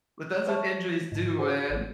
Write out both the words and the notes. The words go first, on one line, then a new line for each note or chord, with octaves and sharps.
But that's what injuries do, man.
C5 C#5 E5 A5 C#6
G#2 D3
F#4 G#4 C5
G#1